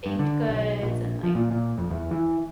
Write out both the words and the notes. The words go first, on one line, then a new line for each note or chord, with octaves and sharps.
baked goods and, like,
G2
D3
B1
A#1
F3
A#2
A#2
F2
E2
E3